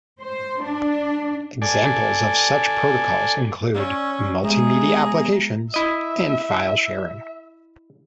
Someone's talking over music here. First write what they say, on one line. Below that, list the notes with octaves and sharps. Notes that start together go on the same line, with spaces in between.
Examples of such protocols include multimedia applications and file sharing.
C5
D4
A4 D5 G#5
C#4 D5 E6
G#3 B3 G4 G#4 E5 A#5
E4 D#5 E5